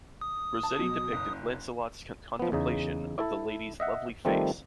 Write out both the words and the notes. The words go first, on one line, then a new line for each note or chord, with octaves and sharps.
Rossetti depicted Lancelot's contemplation of the Lady's "lovely face".
D#6
A5
B2 F#3
F#1
F3 B3
E2 C#3 D#4
E4 A4
D#5 E5 F#5
D#3 F3 G3 A3 C4